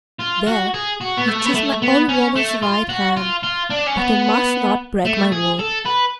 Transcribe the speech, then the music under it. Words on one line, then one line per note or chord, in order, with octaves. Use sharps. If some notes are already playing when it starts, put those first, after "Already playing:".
'There, you chose my old woman's right hand; but I must not break my word.'
F4
F#4
G#4
F#4
B3
A3
B3
A3
B3
C#4
A3
F4
F#4
F4
F4
D4
C#4
B3
A3
G#4
A4
B4